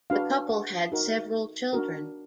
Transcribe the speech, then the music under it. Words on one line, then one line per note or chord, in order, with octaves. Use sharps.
The couple had several children.
D4 F#4 B4 F5
F#5
D#4 F#4 A#4
D4 F#4 A#4